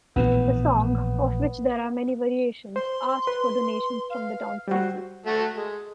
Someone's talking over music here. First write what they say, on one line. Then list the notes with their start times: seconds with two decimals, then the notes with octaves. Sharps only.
The song, of which there are many variations, asked for donations from the townspeople.
0.16 A#1 A2 E3 B3
2.76 C5 C6
3.27 B4
4.10 F5
4.68 G3 F#4 C5
5.26 A3 F#4 A4
5.55 G#3